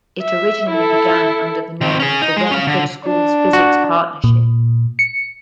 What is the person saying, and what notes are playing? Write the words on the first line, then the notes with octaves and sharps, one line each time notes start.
It originally began under the name of the Rutherford Schools Physics Partnership.
E5
E4 A4
D#3 C4
C#4 G#4
D#4
G#3
C#4 F5
D3
D4
F#4
A#2
C#7